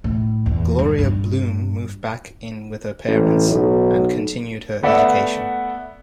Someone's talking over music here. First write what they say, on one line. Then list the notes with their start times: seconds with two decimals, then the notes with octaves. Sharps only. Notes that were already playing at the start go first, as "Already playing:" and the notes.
Gloria Bloom moved back in with her parents and continued her education.
0.04 A2
0.46 E2
0.79 G2
0.99 G2
3.08 A1
3.49 B1
4.83 A3 B3 D5 E5 F#5